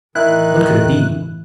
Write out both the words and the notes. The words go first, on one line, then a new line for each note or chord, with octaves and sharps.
What could it be?
A1 D#3 E3 E4 F#6